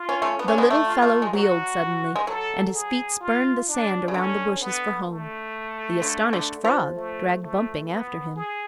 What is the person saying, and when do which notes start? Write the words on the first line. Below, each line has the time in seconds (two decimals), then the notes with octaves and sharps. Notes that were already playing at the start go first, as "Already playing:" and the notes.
The little fellow wheeled suddenly, and his feet spurned the sand around the bushes for home--the astonished frog dragged bumping after him.
Already playing: F4
0.09 C#4
0.22 A3 C#4
0.39 B3 D4
0.48 C#4
0.58 G#3 B3
0.70 A3
0.86 F4
1.02 A3
1.22 G#3
1.33 F#3 F#4
2.16 G#3
2.27 F#3 A4
2.74 G#4
3.20 F4
3.68 D4
4.08 C#3
4.14 D3 C#4
4.61 B3
5.08 A3
6.02 D3
6.33 D3
6.64 F3
6.95 A3
7.42 A3
7.89 B3
8.36 G#4